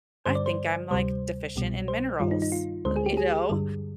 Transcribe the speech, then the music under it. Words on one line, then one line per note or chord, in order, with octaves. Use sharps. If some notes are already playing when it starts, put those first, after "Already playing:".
I think I'm, like, deficient in minerals, uh, you know?
G2 D3 G3 C5
D5
C5
D2 C3 G3 C5
C2 B2 G3
C5
G2 D#3 G3 F4
D#4
D#4
F4
D2 D3 G#3 C5
G#4
G4
G#4
G2 D3 G3